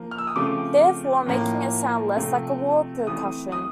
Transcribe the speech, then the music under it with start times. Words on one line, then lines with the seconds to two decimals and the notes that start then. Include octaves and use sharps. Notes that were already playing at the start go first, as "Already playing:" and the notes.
Therefore, making it sound less like a wall percussion.
Already playing: F3 A#3
0.11 F6
0.18 E6
0.27 D#6
0.36 C#3 F3 A3 C4 D6
1.26 A2 F3 A#3
2.17 C3 F3 A3 C4
3.07 E3 A3 C4 D#6
3.52 D#6